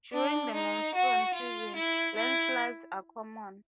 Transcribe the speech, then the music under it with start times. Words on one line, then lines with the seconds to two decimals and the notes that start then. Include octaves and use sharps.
During the monsoon season, landslides are common.
0.13 D4
0.54 D#4
0.94 F#4
1.34 F4
1.76 E4
2.16 E4